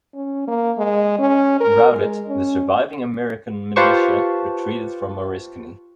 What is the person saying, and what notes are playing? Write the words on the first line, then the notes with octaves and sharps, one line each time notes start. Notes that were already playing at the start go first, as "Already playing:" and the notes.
Routed, the surviving American militia retreated from Oriskany.
C#4
A#3
G#3
C#4
A#4
G#3
C#4
F4 G4 B4 C5 A5 C#6